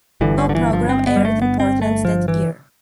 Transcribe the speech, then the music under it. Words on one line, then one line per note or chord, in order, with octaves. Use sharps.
No program aired in Portland that year.
G1 G2 D3 E3
D3
D3
E3
F3
C4
B3
G3
A3
B3
C4
A3
F3
E3